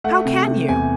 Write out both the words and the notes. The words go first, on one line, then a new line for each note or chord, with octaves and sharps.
How can you?
A3 F#5
C3
C3
E2 G#5